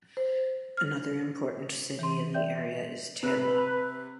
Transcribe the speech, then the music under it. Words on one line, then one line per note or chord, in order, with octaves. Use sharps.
Another important city in the area is Tela.
C5
F6
E3 C6
D5 E5 G5 G6
C3 B4